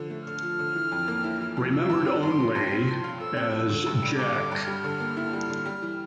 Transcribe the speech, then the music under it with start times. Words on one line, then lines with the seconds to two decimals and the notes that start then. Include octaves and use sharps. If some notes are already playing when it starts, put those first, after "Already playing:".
Remembered only...as Jack.
Already playing: D3 F3
0.10 A3
0.26 D3 F6
0.43 F3
0.59 D3
0.75 E3
0.92 F2
1.08 A#3
1.24 E4
1.41 E3
1.57 F2
1.73 F3 E6
1.90 G2
2.06 C4
2.23 G2 C6
2.39 F3
2.55 G2
2.71 C4 C6
2.88 F3
3.04 F4
3.20 A4 E6
3.37 C4
3.53 F3
3.69 D3 E6
3.86 G2
4.02 G3
4.18 G2 D6
4.35 D3
4.51 G2
4.67 G3 F6
4.84 D3
5.00 A#3
5.17 E4
5.33 G3
5.50 D3
5.66 G3
5.82 E3